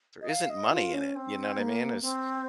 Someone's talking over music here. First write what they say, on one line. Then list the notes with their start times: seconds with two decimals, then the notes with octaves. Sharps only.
There isn't money in it, you know what I mean? It's
0.21 D#5
0.28 F5
0.49 D#5
0.72 F4
0.93 C#4
1.15 C4
1.58 A#3
2.02 C4